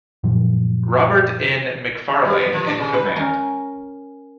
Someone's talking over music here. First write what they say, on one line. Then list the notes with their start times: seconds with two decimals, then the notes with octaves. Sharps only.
Robert N. McFarlane in command.
0.24 F#2 A#2 F3
2.25 G3
2.38 B3
2.53 F3
2.66 D4
2.78 C#3
2.93 B4
3.16 C#4 A#4